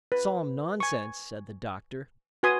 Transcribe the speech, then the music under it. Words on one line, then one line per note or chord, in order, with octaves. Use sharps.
"Solemn nonsense," said the doctor.
B4
G#5 C#6
F#4 B4 G#5 C6 D#6